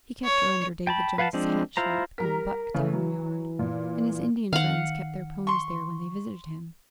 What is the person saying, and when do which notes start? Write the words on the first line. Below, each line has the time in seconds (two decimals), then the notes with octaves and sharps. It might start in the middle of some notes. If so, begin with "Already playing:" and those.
He kept her under David Jones's hat shop in the "Buck" tavern yard, and his Indian friends kept their ponies there when they visited him.
0.24 C#5
0.87 G5 A5 B5
1.18 B4 F5 F#5 G#5 A5
1.33 F3 G#3 C4 D4
1.77 E4 F4 C5 A#5
2.18 G3 A#4 A#5 B6
2.74 C#3 E3 A3
2.93 F#3
3.59 A#2
4.53 D#3 F5 F#5
5.47 C6 C#6